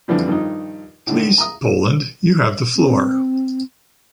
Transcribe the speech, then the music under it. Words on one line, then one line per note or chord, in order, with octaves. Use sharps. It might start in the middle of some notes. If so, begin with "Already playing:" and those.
Please, Poland, you have the floor.
F2 D3 E3 G3 C4
G2 D#3 F3 D#4
A2 D3 D#3
A#5 D#6
C4